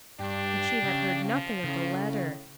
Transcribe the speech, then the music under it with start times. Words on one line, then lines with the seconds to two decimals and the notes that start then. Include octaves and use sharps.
But she had heard nothing of the letter.
0.20 G2 D4 G4
0.84 C#3
1.25 F3
1.64 A2 C#3